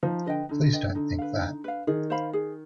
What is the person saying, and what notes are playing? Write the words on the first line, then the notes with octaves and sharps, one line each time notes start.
Please don't think that.
F3 D#4
D3 B4 D#5 G5
D3 D#4
B4 D#5 G5
D3 D#4
B4 F5
D#4
B4 F5
D#3 G#4
C5 F5 B5
G#4